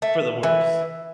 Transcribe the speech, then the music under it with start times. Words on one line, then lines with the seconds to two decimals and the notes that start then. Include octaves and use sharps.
for the worse.
0.02 A3
0.43 E3